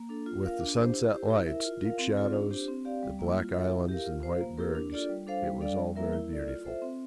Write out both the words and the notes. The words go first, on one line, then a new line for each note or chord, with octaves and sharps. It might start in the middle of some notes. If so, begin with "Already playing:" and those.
With the sunset lights, deep shadows, the black islands and white bergs it was all very beautiful.
Already playing: A#3
D4 A4
F4
A#4 F5
D4
G4 C5
E4
G4 C5
E4
A#4 E5
F4
A#4 F5
C4
F4 A4 D5
D4
G4 C5
C4
G4 D5 F5
G3
A#3 E4
F4
A4 E5
E4
G4 A#4 F5
F4
C5 F5
A#3
E4 G4 A#4
D4
F4 A4 D5
G3
D4 A4 C5 F5
G3
D4 A4 D5 F5
G3
A#3 E4 A#4 E5
E4
A4 D5
F4
A4 C5 E5
C4